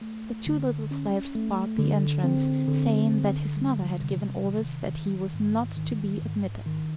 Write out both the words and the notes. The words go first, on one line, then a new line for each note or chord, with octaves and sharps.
The two little slaves barred the entrance, saying that his mother had given orders that he was not to be admitted.
A3
D3
C#4
A3
D3
C4
D3
D3
G3
C3
D#3
D#3
G#2
D#3
G#2
D#3